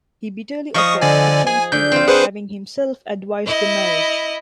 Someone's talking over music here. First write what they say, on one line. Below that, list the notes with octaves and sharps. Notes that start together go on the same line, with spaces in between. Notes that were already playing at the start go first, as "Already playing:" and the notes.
He bitterly opposed the king's divorce, having himself advised the marriage.
F3 D#5 F5 C#6 D#6
D3 D5 G#5
G#4 G#5
D3 G6
C4 F4
G#4 B4 C5 F#5
E4 D#5